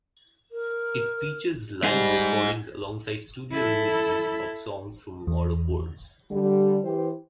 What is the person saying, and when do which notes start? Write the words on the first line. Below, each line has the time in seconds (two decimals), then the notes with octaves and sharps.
It features live recordings alongside studio remixes of songs from "War of Words".
0.51 A#4
1.84 G3 D#4 G#4
3.52 E4 A4
5.27 E2
6.31 D3 G3
6.84 E3 G4 C5